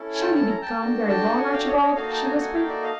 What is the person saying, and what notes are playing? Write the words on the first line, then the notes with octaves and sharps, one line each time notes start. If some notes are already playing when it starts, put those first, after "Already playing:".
"Shall you be gone very long, Archibald?" she whispered.
Already playing: C#4 E4 A4
G#5
G5 A5
A5
A#5
G5 A5
D4 F#4 A4
G5 A5
F#5 G#5
F5 G5
C#5 D#5
C#5 D#5
A#3 D#4 F#4 A4 D#5 F5
G5 A5
G#5 A#5
F#5 G#5
F5 G5
D5 E5
D#5 F5